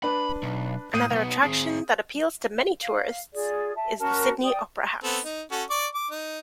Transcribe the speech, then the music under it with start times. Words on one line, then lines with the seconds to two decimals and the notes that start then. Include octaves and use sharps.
Another attraction that appeals to many tourists is the Sydney Opera House.
0.03 D4 B4 B5
0.43 B1
0.94 A2 D#6 G6 D#7
1.11 B1 B3
1.43 C4 G#4
2.81 F5
3.33 F4 G#4 D5
3.75 E5 A5
3.98 C#4 F#4 A#4 A5
4.43 D5 G5 D#6
5.04 B3 C4 A4
5.25 D#4
5.52 C#4 F#4 A4
5.70 D5 C#6 D6
5.94 D6
6.11 D#4